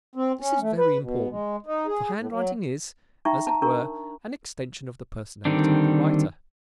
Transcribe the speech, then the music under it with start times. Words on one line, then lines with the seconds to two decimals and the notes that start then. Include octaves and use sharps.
This is very important; for handwriting is, as it were, an extension of the personality of the writer.
0.15 C4
0.40 C#4
0.61 A3
0.78 B4
1.02 B2
1.30 G#3
1.67 D#4
1.87 G#4
2.19 A2
2.32 F#3
3.25 D#4 E5 G5 A#5 C#6
3.47 A5 A#5
3.62 D4 A#4 A#5 C#6
5.45 D3 D#3 G3 C4 D4